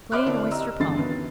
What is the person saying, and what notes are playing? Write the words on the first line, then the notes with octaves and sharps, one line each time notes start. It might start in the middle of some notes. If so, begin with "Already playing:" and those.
Plain Oyster Pie.
C5 C#5 E5 D6 F6 F#6
D3 A#3 C4 D4 E4
G4 D#5 A#5 E6
G1 G2 D3 E3 A6 C7
F#2 D#3 B3